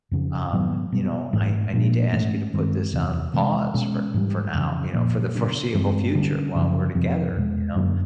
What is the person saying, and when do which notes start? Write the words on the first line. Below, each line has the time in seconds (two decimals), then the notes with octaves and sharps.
um, you know, "I I need to ask you to put this on pause for for now," you know, "for the foreseeable future while we're together," you know,
0.11 F2 C#3 F3
0.52 G#2 D#3 F#3 B3
0.92 B2 G3 B3
1.33 G#2 E3 A3
1.73 A#2 F3 A#3 D4
2.13 G#2 E3 A3 C#4
2.54 G2 D#3 G#3 C4
2.93 E2 C3 E3
3.34 C3 E3 G#3
3.74 B2 G#3 C#4
4.14 G#2 E3 G3
4.54 F2 C#3 E3
4.94 A#2 F3 A#3
5.35 C#3 F#3 B3 D4
5.75 G2 E3 G#3 C4
6.15 D3 G3 A#3 C#4
6.55 F#2 C#3 F3
6.95 F2 C3 F3
7.35 E2 B2 G#3
7.76 F#2 D3 F#3 A#3